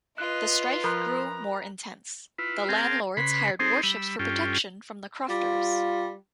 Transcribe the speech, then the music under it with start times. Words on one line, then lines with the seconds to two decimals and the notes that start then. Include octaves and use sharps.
The strife grew more intense; the landlords hired warships for protection from the crofters.
0.18 F4 B4 D#5 F#6
0.84 F3 A#4 A#5 B5 F#6
2.38 E4 F4 B4
2.69 C4 G#4 A#4 F5 G5 A5
3.17 C#3 B4 B5 C6
3.60 C4 D#4 G#4 A4 C5
3.83 G3 B5 E6
4.19 G2 C#4 F4 A4 G5
5.30 G3 F4